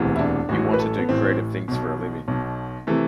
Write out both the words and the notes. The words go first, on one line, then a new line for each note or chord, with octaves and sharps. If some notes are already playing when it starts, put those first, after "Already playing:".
You want to do creative things for a living.
Already playing: E1 D2 C3 E3
E4
D4
A1 A2 E3 F#4
B4
A4
B3
A1 A2 E3 C4
B1 B2
B1 B2
C3 E3 A3